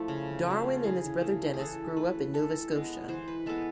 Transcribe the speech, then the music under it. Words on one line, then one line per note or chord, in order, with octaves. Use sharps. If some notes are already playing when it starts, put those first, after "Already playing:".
Darwyn and his brother Dennis grew up in Nova Scotia.
Already playing: F3 A3 E4
C#3
F3 A3
E3 G#4
A3
G#4
E3 A4
A3 B4
E3 A4
G#3 B3
E3 C5
B4
G#3 B3 A4